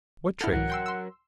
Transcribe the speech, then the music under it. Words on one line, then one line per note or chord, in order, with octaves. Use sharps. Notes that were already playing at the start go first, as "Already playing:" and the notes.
"What trick?"
D4 E4 A4 F#5 F6
C#2 A2 E3 F#3 A#4 F#5
G5 C6 E6
C6 E6